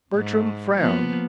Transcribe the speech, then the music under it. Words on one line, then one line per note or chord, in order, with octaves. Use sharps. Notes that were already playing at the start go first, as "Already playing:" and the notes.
Bertram frowned.
G#2
F3 A#3 B3